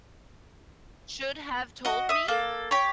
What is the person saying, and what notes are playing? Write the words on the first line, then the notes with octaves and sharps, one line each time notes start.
should have told me?"
F#4 D#5
E5 D#6
A#3 A4
G4 C#5